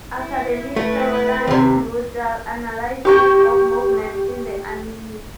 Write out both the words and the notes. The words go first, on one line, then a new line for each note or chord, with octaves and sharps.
Academic Caroline Ruddell analysed use of movement in the anime.
E4
A3 E4 B4
D#2 C3
G4 C#6 G6